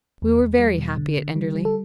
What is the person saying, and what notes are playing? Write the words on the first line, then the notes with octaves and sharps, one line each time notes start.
We were very happy at Enderley.
E2
E2
G3
B2
D3
D3
G3
G3
A4